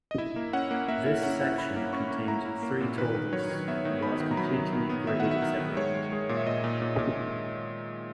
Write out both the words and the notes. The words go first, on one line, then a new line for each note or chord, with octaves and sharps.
This section contained three toll booths, and was completely grade-separated.
D#5
E4 E5
A#3
C#4 F#5
A#3
A#3 E5
E4
C#4 F#5
E4
E4 B5
A#3
C#4 C#6
A#3
E4 A#5
E4
A#3
A#2
D#3 B4
D#3
F#3 C#5
D#3
B3 E5
D#3
B3 B5
D#3
A#5
F#3 B5
D#3
D#3
B3
D#3 E5
D#3 F#5
E5
D#3
D#3
G#3 C#5
G#3
G#3
A#2
E5
A#2 D#5
A#2
A#2
A#2